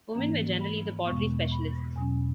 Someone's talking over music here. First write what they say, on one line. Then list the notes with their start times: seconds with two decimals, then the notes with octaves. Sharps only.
Women were generally the pottery specialists.
0.15 G#2 E3 A#3 C#4 A#5
0.60 B5
1.05 E2 B2 G#3 B3 C#6
1.52 B5
1.96 E2 B2 F#3 C#4 G#5